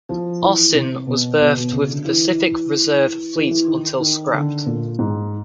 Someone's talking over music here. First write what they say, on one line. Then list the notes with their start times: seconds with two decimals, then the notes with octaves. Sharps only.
"Austin" was berthed with the Pacific Reserve Fleet until scrapped.
0.09 F3
0.42 E3
0.75 C3
1.07 B2
1.40 B2
1.56 B2
1.72 C#3
1.88 D3
2.05 E3
3.36 E3
3.51 E3
3.67 D#3
4.00 D#3
4.34 D3
4.66 A#2
4.99 G#2